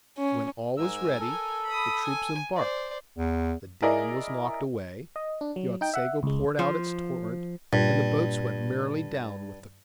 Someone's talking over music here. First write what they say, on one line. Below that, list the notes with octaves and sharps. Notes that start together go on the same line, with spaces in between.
When all was ready the troops embarked, the damn was knocked away, the Otsego poured out its torrent, and the boats went merrily down with the current.
C#4
G#2 A#4 G#5 E6
A4
B5 D#6
G#5
C5 D5
E2
E4 G#4 A#4 D5 D#5
D#5
D4
F#3
D#4 G5
E5 F#5
C#2 G#3
F3
G2 A#2